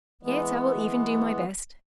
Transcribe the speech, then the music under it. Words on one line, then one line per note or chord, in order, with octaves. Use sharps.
"Yet I will even do my best."
E3 G#3 B3